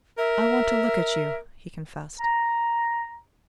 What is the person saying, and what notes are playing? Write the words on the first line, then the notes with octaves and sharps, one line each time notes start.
"I want to look at you," he confessed.
A#4 E5
A#5